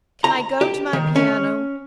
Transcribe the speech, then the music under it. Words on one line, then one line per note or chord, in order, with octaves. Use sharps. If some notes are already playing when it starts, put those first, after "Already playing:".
Can I go to my piano?
A#5
G4
D#3
C#4